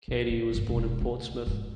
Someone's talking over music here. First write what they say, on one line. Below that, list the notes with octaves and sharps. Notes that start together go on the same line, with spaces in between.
Katy was born in Portsmouth.
B1
C#3
G1 A#2
E1
C#2 A3
F2 G#2